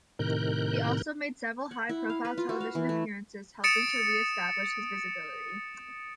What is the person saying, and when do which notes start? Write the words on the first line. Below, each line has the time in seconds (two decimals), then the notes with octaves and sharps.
He also made several high-profile television appearances, helping to re-establish his visibility.
0.19 A2 C3 D#3 A#4 F#6 G6
1.71 F#5
1.89 E4
2.09 F5
2.25 B4
2.38 F4
2.49 F#4
2.60 F5
2.75 E3
2.89 A3
3.64 D#6 A6 C#7 D7 E7